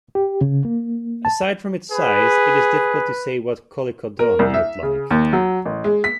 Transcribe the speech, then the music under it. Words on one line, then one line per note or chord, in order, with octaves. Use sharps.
Aside from its size, it is difficult to say what "Kollikodon" looked like.
G4
C#3
A#3
A5
G#4 B4
A#4
C2
E5
C#3
D#2
F#3
A1
G#3
B6